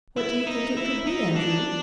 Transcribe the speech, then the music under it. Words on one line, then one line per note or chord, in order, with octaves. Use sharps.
"What do you think it could be, Andrew?"
E4
D#4
E4
D#4
D4